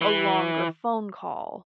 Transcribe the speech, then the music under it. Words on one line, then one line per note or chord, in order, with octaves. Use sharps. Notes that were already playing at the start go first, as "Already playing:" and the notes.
a longer phone call
E3